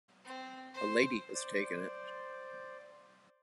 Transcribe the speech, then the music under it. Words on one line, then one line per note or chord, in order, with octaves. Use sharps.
A lady has taken it.
C4
C5
C5 D5